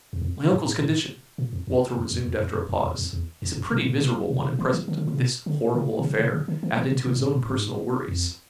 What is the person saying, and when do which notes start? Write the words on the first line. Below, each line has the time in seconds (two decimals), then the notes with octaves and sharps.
"My uncle's condition," Walter resumed after a pause, "is a pretty miserable one at present, with this horrible affair added to his own personal worries."
0.13 E2
0.22 F2
0.51 G2
0.65 G#2
0.80 A2
1.38 A#2
1.53 F2
1.67 F2
1.97 F#2
2.11 F2
2.26 E2
2.40 F2
2.55 F2
2.69 F2
2.84 E2
2.99 F2
3.13 E2
3.42 F2
3.57 F#2
3.72 A#2
3.86 A#2
4.00 B2
4.30 B2
4.39 C3
4.49 B2
4.59 E3
4.73 E3
4.88 D#3
4.98 D3
5.07 C#3
5.17 B2
5.46 D3
5.75 C#3
5.99 C3
6.04 C#3
6.19 C3
6.33 D3
6.48 D#3
6.63 E3
6.77 E3
6.92 B2
7.07 B2
7.16 A2
7.21 A#2
7.35 A2
7.50 G#2
8.08 F2